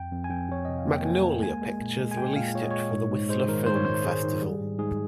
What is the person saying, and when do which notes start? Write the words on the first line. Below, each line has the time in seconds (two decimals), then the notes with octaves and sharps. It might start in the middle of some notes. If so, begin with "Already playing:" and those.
Magnolia Pictures released it for the Whistler Film Festival.
Already playing: F2 G5
0.12 F2
0.24 G#5
0.30 F2 G5
0.49 F2 C#5
0.65 C3 D#5
0.78 F5
0.87 A#3 G5
1.05 A#3 G#5
1.24 A#3
1.43 G#3 G#5
1.62 G#3
1.81 A#2
1.99 G#3
2.11 G#5
2.17 G#3 G5
2.36 A#2 F5
2.55 A#2 C#5
2.63 D#5
2.71 G#3 C#5
2.92 G#2
3.10 G#2
3.29 G#3 C5
3.48 D#3 A#4
3.66 G#2 C5
3.75 C#5
3.85 G#2 C5
4.04 G#2 G#4
4.23 D#3
4.42 G3
4.60 G#2
4.79 G#2 G#4